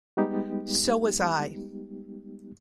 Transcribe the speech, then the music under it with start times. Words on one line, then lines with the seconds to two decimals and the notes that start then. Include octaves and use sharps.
So was I.
0.17 G3 G#3 B3 D#4 G4